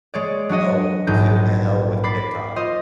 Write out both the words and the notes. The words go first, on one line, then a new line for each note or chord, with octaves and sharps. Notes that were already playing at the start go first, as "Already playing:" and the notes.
Oh, to to hell with TikTok.
G#3 C#5 D5
F#3 D4 F#4 D#5
A#1 G#2 F#3 D#4 G6
B5 D6 A6 C7
F4 C5 D#5 C6